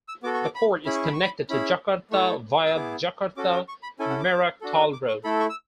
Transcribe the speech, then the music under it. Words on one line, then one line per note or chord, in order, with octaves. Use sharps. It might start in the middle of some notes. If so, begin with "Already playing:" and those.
The port is connected to Jakarta via the Jakarta-Merak Toll Road.
E6
B3 F#4 A4 D6
C#6
D6
B5
C#4 E4 G#4 B5
C#6
B5
C#6
B5
C#4 E4 G#4 B5
A3 E4 A4 C#6
E6
B3 E4 G#4 D6
C#4 F#4 A4 D6
D6
C#6
B5
C#4 E4 A4 G#5
F#5
D6
D4 F#4 A4
D6
C#6
A3 E4 A4 B5
C#6
E6